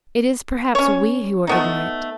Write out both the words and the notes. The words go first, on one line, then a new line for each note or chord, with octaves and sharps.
It is perhaps we who are ignorant.
C#4 C#5
A3 B3 D#4